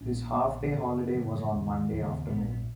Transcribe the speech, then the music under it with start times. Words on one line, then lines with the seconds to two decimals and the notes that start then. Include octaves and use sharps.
His half-day holiday was on Monday afternoon.
0.01 A#1 C#4
0.04 A#2
0.13 B3
0.26 B3
0.32 A#3
0.38 A#1 B3
0.42 A#2
0.52 B3
0.64 E3
0.71 B3
0.77 F#1 F#2 C#3 C#4
0.95 B3
1.14 F#1 F#2 C#3 F#3
1.34 E3
1.52 E1 D#2 C#3
1.72 D#3
1.91 E1 D#2 C#3 E3
2.02 A#3
2.10 B3
2.28 A#1 A#2 B3
2.39 A#3
2.49 B3